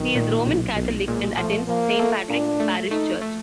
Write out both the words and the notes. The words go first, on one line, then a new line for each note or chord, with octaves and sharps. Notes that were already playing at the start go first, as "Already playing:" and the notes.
He is Roman Catholic and attends Saint Patrick's Parish Church.
Already playing: B1 A#2 D#3
A#2
B1
B1
A#2 G#3
F3 A3
F3 A#3
A3
A#2 D4
A3
A3 D#4
A3